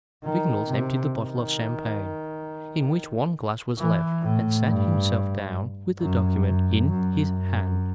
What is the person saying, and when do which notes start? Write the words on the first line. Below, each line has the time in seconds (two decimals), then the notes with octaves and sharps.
Vignolles emptied the bottle of champagne, in which one glass was left, and sat himself down with the document in his hand.
0.23 D#3
0.67 C3
1.11 D#3
3.78 E3
4.22 A2
4.67 G2
5.99 F#2
6.44 F#2
6.88 F#2
7.33 F#2